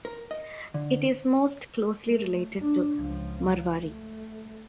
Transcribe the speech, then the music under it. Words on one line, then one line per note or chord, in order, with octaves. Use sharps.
It is most closely related to Marwari.
A#4
D#5
D3
A3
D4
C#2 F3
A3